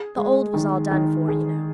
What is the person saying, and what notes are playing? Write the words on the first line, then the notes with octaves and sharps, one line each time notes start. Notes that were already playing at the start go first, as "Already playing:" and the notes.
The old was all done for, you know.'
Already playing: G#4
G#3
D#3
D#3
G#4